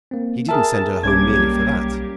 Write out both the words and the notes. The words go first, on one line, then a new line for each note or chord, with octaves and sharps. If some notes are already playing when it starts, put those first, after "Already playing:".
He didn't send her home merely for that.
A#3 C4
G#4 A#4 E5 A5
B1 G3 A#3 C#4 G4 D6 G#6